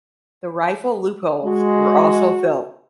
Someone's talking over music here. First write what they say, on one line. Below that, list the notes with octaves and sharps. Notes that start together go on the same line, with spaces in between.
The rifle loopholes were also filled.
G#3 F#4